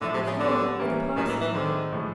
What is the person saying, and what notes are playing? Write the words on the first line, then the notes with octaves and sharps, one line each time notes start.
"Not at all; with a parson."
A2 D3 F3 A3
C3
C#3
D3 G3 B3 D4
E3 G3 A#3 C#4
A2 D#3 F#3 A#3 D#4
E3
E3
D3 D#3 G#3 C4
A2 F3 G#3